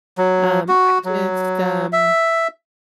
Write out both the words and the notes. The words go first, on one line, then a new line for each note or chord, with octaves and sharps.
Um, I just, um
F#3
F#4
F#3
E5